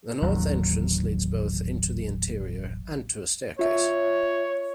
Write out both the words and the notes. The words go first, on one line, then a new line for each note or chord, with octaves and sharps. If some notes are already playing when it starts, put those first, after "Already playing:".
The north entrance leads both into the interior and to a staircase.
D#1 A1 D#2 F#3
F4 C#5 E5